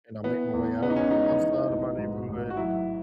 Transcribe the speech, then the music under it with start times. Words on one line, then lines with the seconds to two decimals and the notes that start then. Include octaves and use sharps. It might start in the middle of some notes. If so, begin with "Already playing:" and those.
and I make my way out outside of my neighborhood,
0.23 E3 B3
0.53 E2
0.82 C#3 B3
0.90 D#4
0.96 C#4
1.11 G#3 D#4
1.26 D#4
1.40 E3
1.70 A1
1.98 G#2
2.28 A1
2.50 F#4
2.57 F#3 E4